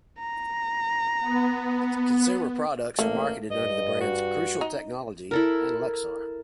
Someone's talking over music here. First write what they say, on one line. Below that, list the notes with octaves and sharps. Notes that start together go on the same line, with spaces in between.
Its consumer products are marketed under the brands Crucial Technology and Lexar.
A#5
B3
A1 A3 A#3
G2 D#5
F#4
D#4
E4 A4 A#4